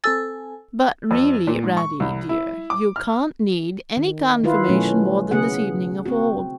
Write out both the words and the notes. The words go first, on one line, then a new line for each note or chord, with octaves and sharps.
'But really, Radie, dear, you can't need any confirmation more than this evening affords.
C4 A4 G#5 E6 A6
F2
A#2
G#2
C#6
C2
E4
D6
F6
D#3
D#3 E4 F4 B4
B2 E3 F#3 A3 C#4
C#3 B3 G#4 F#5
C4 F#4